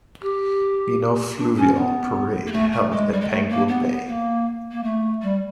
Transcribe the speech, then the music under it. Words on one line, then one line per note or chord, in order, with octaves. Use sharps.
Nino Fluvial Parade held at Panguil Bay.
G4
D4
C#4
B3
A#3
A3
A3
G#3
G3
G#3
A3
A#3
B3
A#3
A#3
A3
G3